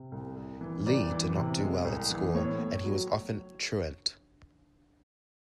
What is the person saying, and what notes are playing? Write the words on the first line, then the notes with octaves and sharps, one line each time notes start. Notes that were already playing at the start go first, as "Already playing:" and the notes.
Lee did not do well at school, and he was often truant.
Already playing: C3
C2
C2
E3
C2 D5
E3
C3
G#3
C2
E3
A2 C#5
A2
F#3